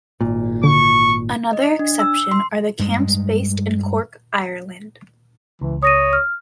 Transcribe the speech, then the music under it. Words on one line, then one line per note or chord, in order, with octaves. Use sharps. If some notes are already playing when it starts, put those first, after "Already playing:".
Another exception are the camps based in Cork, Ireland.
G#1 A#2
D3 C#6
D#5
D4
E6
C6
G2 G#3
C#2 E3
C#5 D#6 A#6 D#7
F6